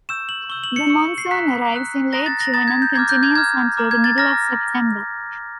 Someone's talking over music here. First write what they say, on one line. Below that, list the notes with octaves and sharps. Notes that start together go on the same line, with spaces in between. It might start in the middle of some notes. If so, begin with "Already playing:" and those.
The monsoon arrives in late June and continues until the middle of September.
C#6 E6 G6 E7
F#7
C#6 E6 G6 G7
F#7
C#7
C#6 E6 G6 C#7
C#7
C7
A#5 D#6 F#6 B6
A#5 D#6 F#6
A#5 D#6 F#6 A#6
A6
A#6
A#5 D#6 F#6 A6
G#6
G6
A#5 D6 F6 G#6
G6
G#6
A#5 D6 F6 G#6
A#5 D6 F6
G#6
A6
A#5 D6 F6 A#6